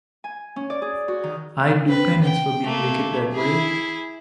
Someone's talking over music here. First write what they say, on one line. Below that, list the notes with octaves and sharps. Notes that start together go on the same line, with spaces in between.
I’d do penance for being wicked that way.
G#5
C#4
D5
G#4
F#4
D#3
C4 B4
G5
A3 A#3
E4 G#4